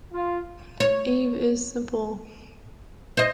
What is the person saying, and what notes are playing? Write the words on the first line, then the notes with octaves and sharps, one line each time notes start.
Eave is simple.
F4
C#5
C5 D#5